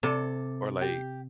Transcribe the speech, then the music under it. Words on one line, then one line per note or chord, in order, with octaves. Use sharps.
or, like,
C3 A4
G4